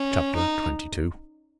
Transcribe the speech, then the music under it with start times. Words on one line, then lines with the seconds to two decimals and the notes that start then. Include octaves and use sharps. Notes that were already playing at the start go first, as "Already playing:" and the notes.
Chapter XXII.
Already playing: C#4
0.35 D#4